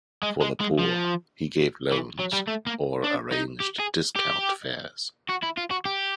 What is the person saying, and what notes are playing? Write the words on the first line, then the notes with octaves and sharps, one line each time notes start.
For the poor, he gave loans, or arranged discount fares.
G#3
G#3
G#3
F3
E3
F#3
G3
A3
A#3
D4
D#4
G4
G#4
G4
F#4
E4
F4
F#4
G4